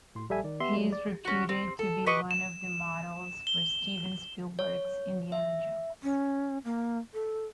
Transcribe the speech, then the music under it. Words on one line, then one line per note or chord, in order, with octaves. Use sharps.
He is reputed to be one of the models for Steven Spielberg's Indiana Jones.
A2 C6
A#1 G3 A4 E5 G#5
D#3 D5
B3 G4 E5 C6
F#3 G3 A3
D5
C#4 F#4
C4
A4
G4 B4 D#5 C#6
E7
G7
C#5
E5
C#4
A#3
A4